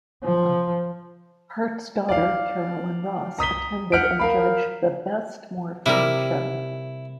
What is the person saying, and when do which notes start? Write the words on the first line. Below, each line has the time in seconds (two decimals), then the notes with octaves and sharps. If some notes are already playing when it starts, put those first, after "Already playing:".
Hart's daughter, Carolyn Ross, attended and judged the "Best Morph in Show".
0.23 F3
2.09 D5 F5
3.39 A#5 D#6 B6 G7
3.92 F#5 F6 G6 B6 D7
4.19 A#4 F5 B5
5.86 C3 G3 E4 A#4